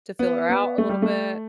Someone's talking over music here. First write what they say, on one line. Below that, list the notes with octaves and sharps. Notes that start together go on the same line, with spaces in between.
to feel her out a little bit,
B3
B3
A3
G3
A3